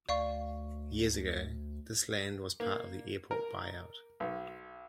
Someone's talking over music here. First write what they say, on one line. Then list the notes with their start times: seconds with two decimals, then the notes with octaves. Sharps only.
Years ago, this land was part of the airport buyout.
0.09 D2 D5 F5 C#6
2.60 A#3
3.31 A#4
4.20 B1